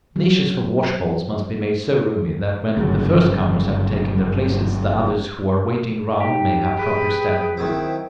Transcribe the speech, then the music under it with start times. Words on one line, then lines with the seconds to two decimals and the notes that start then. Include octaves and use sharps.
Niches for washbowls must be made so roomy that when the first comers have taken their places, the others who are waiting round may have proper standing room.
0.16 F#3
2.77 G1 F#2 C#3
6.20 D#4 G4
6.77 G#4 B4 G5
7.57 D#3 F#3 C4 E4